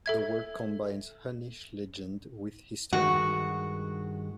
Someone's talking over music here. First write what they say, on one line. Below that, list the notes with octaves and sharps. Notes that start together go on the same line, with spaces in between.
The work combines Hunnish legend with history.
A4 E5 G#6
G2 D#3 G#3 F#4